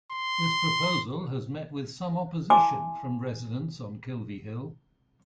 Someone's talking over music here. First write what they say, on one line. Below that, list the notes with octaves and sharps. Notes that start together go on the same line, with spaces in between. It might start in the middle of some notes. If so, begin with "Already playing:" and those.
This proposal has met with some opposition from residents on Kilvey Hill.
C6
E4 E5 G#5 A5 C6 D6